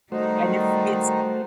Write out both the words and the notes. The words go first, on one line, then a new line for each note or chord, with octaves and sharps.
and if it's
D#3 G3 A3 D#4 F#4 C5